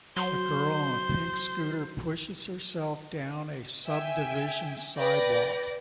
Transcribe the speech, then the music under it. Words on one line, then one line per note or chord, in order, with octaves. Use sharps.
A girl on a pink scooter pushes herself down a subdivsion sidewalk.
F#3 C5 C6
E5 G5 G#5
B4 D5 G5 A#6